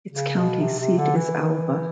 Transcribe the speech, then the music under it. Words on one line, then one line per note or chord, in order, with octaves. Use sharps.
Its county seat is Alva.
C#3
B2
C3
C3
D3
E3